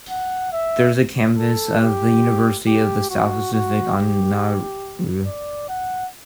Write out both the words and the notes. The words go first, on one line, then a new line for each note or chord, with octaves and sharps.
There is a campus of the University of the South Pacific on Nauru.
F#5
E5
A4
G4
G4
F#4
F#4
G4
D5
F#5